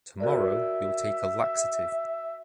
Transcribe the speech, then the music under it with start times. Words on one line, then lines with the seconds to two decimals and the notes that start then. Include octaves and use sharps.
Tomorrow, you’ll take a laxative.
0.20 F#4 A#4 D5 E5